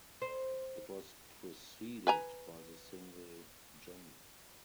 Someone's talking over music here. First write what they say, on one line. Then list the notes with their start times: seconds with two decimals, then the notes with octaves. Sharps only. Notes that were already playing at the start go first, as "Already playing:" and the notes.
It was preceded by the single "Gem".
0.22 C5
2.07 B4 G#5 A#5